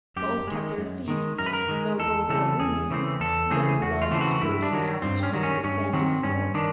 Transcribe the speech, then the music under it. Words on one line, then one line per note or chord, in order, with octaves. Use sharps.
Both kept their feet, though both were wounded--their blood spurting out over the sanded floor.
F#2 G4
D#3 G#3
F#2
D#3 G#3
F#2 A#4
B4
A#4
D#3 G#3
E2 A4
C#3 E3 A3 C4 A4
E2 G#4
C#3 E3 A3 C4
E2 A4
C#3 E3 A3 C4 G#4
E2 F#4
F4
C#3 E3 A3 C4
F#4
G2 E4
D4
D#3 F#3
G2 C4
C#4
D#3 F#3
C#4
G2 C#4
D#3 F#3 C4
G2 C#4
D#3 D4